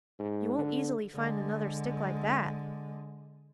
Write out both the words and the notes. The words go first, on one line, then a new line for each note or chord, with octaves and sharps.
You won't easily find another stick like that!'
G#2
D3
D3 G#3